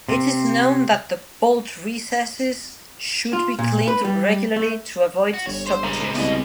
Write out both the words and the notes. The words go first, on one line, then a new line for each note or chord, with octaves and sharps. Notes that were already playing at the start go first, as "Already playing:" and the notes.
It is known that the bolt recesses should be cleaned regularly to avoid stoppages.
C3 C4
F4
A#2
B4
G3
A3
F#4
G1 C#5
C5
C#2 E5 A#5
C2 B3 D#5